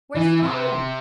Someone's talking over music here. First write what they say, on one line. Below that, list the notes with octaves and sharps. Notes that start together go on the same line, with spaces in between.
Where's he gone?
E3
C3